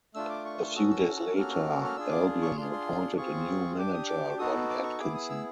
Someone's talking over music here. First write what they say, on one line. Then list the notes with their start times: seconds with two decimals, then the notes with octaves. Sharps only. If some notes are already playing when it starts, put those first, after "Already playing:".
A few days later, Albion appointed a new manager, Ron Atkinson.
0.15 A3 D4 F4 E6
0.30 D6
0.45 C#6
0.76 C#4 F#4 A4 D#6
0.91 E6
1.36 A#3 C#4 F#4 A4 F6
1.85 F6
1.96 D4 F4 G#4 E6
2.11 D6
2.42 C#6
2.57 D4 F4 G#4 C6
2.72 C6
3.17 C4 F4 G#4 C#6
3.78 D4 G4 D6
3.94 D#6
4.08 D6
4.39 B3 D#4 F#4 A4 D#6
4.69 D6
4.84 C#6
4.99 B3 E4 G#4 D6
5.15 D#6
5.30 E6